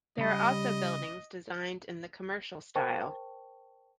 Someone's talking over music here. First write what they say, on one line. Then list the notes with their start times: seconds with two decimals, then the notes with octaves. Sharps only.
There are also buildings designed in the Commercial style.
0.18 C#3 G3 D#5 B5
2.75 A#4 C5 G5 A5 C#6